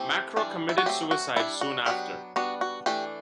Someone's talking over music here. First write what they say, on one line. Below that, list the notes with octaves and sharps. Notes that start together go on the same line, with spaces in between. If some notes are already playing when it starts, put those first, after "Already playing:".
Macro committed suicide soon after.
Already playing: E3 A3 C4 G4
E3 G3 D4
E4
F#4
F#3 A3 C4 G4
F#4
G3 D4 E4
F#4
F#3 B3 D4 G4
G3 B3 D4 F#4
F#4
E3 A3 D4 G4